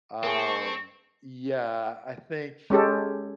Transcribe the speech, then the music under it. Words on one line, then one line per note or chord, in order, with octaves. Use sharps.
um, yeah, I think
A#3 C4 G#4 A5 C#6
G#3 C#4 G4 A4